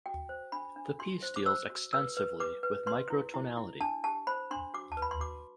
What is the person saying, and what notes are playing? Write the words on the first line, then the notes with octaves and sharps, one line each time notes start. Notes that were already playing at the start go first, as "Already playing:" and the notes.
The piece deals extensively with microtonality.
F#4 G5
C5
D4 B5
D4
F#4 C6
C5
D6
C5 E6
F#4
B4 E6
B4
B4 D6
B4
B4 C6
E4
E4
E4
D4 A5
G4 A5
C5 B5
D4 C6
F#4 D6
A5
B4
B5
C6
F#4 D6